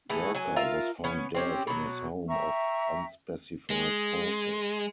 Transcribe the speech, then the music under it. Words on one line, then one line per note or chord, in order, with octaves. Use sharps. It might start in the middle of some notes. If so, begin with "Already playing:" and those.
Walker was found dead in his home of unspecified causes.
A2 E3 A3 G#4
F#3 G#5
F4 A#4 E5 F5
B3 C#4
C4 C#4 G4
B2 F#3
E5 G5 A#5 C#6
G#3